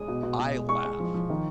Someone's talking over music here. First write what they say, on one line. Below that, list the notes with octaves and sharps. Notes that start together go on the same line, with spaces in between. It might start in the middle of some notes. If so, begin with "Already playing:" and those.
I laugh,
Already playing: G#3 D#6
B2
B2
B2
G#3
G#3 C#6
G#3
F3
F3
D#3